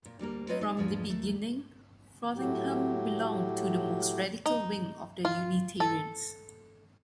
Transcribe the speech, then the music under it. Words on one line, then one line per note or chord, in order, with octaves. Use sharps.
From the beginning, Frothingham belonged to the most radical wing of the Unitarians.
A#2
D2 G3 A#3 A#4
F#3 C4 F4 B4 C#5 D#5
D4 D#4 G#4 D#5
E2 G#2 F3 G#3 A3 D4
D#2 A3
A2 F#3 G4
D#4
F4
A4